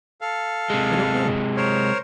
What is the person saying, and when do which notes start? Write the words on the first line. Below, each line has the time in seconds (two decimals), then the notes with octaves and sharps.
"I don't know."
0.21 A4 F5
0.70 C3 G#3
1.57 A#4 C5 C#5